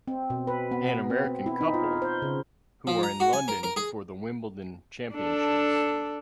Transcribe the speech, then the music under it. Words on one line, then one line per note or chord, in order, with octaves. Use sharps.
An American couple who are in London for the Wimbledon Championships.
C4
B2
B4
B3
C4
C4
E4
D#4
F4
C5
C#3
F3
A#5
F#4
G#5
A#4
A#4
G#4
D4 A4